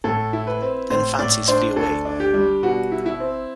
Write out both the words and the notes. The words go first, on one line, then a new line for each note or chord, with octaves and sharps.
Then fancies flee away!
A2 A4
E4
B4
C4
A2 C5
A2 D5
D4 C5
D2 A4
D4
G4
G3
B2 F#4
E4
E4
C4